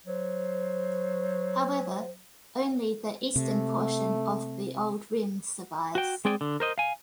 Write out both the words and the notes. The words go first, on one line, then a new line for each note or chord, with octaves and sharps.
However, only the eastern portion of the old rim survives.
F#3 C5
C3 A3
F#4 G5
G#3 C4 G#4 D5 G5
D3
A#4 C5 D#5
F5 G#5